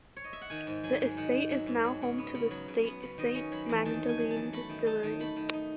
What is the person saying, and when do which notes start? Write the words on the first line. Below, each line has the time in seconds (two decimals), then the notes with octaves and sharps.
The estate is now home to the St Magdalene distillery.
0.16 C#5
0.24 D#5
0.33 E5
0.41 F#5
0.50 D#3 G#5
0.67 G#2
0.83 F#3 G#5
1.00 G#2
1.17 D#3 F#5
1.34 G#2
1.50 F#3 E5
1.67 G#2
1.84 F#3
2.02 C#3
2.18 B3
2.35 C#3
2.51 F#3
2.68 C#3
2.84 B3
3.02 C#3
3.18 D#3 D#5
3.35 C#4
3.52 F#3 B5
3.69 E2
3.85 D#3 A5
4.03 C#4
4.08 G#5
4.19 F#3
4.30 A5
4.36 E2
4.53 A3 B5
4.69 D#3
4.86 D#4 A5
5.03 D#3
5.20 A3 B5
5.36 D#3
5.53 D#4